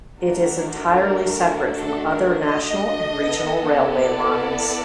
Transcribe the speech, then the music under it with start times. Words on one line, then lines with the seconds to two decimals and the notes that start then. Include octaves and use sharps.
It is entirely separate from other national and regional railway lines.
0.19 A3 D4 F#4 A4 A#4
0.94 A#4
1.69 A4
2.05 A#4
2.42 D#5
3.17 B3 E4 A4
3.92 D5